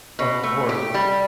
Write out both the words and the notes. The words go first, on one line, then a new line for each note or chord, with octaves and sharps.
Of course.
B2
A3
G4
G3